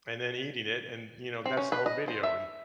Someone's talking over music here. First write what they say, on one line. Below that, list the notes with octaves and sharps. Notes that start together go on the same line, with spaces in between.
and then eating it, and, you know, that's the whole video. And
C4
C#4
B4
D#5
C5
E5